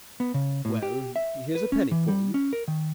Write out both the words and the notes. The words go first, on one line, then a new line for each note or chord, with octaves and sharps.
"Well, here's a penny for you."
B3
C#3
A2
G4
E5
B4
C#4
E3
G3
C#4
A#4
D#3